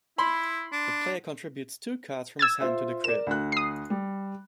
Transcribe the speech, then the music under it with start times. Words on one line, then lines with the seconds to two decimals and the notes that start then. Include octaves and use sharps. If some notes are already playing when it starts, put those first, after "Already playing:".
The player contributes two cards from his hand to the crib.
0.18 E4 B5 C6
0.72 D4
2.39 E6 G#6 A6
2.61 F4 C5 E5
3.04 A#4 D5 E7
3.27 D2 F#6
3.52 D#6 C7
3.90 G3